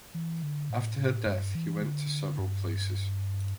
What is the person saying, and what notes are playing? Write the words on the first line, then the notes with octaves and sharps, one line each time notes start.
After her death he went to several places.
E3
D3
A2
A2
G2
E3
D3
G2